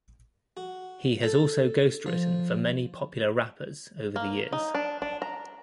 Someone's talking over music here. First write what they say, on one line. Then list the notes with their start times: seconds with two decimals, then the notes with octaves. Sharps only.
He has also ghostwritten for many popular rappers over the years.
0.57 F#4
1.24 A4
2.06 F3
4.16 A#3
4.53 D#4
4.75 D4
5.02 D4
5.22 A#5